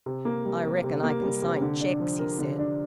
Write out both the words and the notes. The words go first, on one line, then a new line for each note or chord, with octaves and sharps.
"I reckon I can sign cheques," he said.
C3
A#3
G3
C3
C3
A#3
G3
C3
D3
D4
F3
A#4
D3
D4